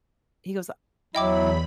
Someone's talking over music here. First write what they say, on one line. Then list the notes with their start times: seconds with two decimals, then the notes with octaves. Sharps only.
he goes, uh
1.15 E2 F#3 E4 D#5 G5 B5 D6